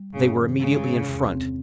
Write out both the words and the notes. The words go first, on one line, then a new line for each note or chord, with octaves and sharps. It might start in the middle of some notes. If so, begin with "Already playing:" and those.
They were immediately in front.
Already playing: G3
G2 C#3
D#3
C#3 G#3
C3
E2
C4